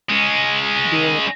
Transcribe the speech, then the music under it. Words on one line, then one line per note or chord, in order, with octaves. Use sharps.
Do it.
G#3 C#4